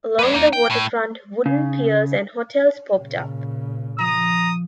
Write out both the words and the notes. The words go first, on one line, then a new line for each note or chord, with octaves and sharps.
Along the waterfront, wooden piers and hotels popped up.
B4 D5
A#3 D#4
G5
A2
C#3
A#2 C#3
F3 A#5 D#6